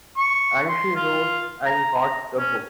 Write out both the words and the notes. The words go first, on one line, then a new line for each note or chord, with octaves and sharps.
And she rose and got the books.
C#6
C6
F4
A#5
C#4